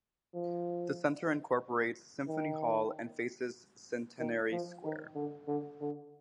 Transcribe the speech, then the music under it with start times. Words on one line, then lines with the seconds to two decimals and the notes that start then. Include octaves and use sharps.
The centre incorporates Symphony Hall and faces Centenary Square.
0.35 F3
2.28 D#3
4.20 D#3
4.52 F3
4.84 D#3
5.15 D3
5.48 D3
5.81 D3